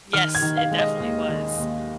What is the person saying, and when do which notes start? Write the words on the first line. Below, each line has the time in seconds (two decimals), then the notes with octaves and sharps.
Yes, it definitely was.
0.13 D#3 F6
0.35 G#6
0.42 D#3
0.57 F5
0.71 G#3
0.79 D#5
1.00 D#2
1.29 D#3
1.58 D#2